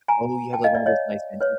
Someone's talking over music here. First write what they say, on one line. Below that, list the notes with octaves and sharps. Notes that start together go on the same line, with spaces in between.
Oh, you have, like, one of those nice vintage
G#5 A#5
G5 A5
D#5 F5
D5 E5
C#5 D#5
B4 C#5